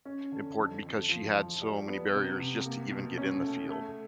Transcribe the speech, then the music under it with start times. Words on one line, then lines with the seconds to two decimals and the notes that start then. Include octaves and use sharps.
important because she had so many barriers just to even get in the field.
0.05 C#4
0.32 D3
0.58 F2
0.84 F2
1.09 F3
1.36 F3
1.62 G3
1.88 B3
2.13 C3
2.39 C3
2.66 A#3
2.92 B2
3.18 C#4
3.43 A3
3.69 A3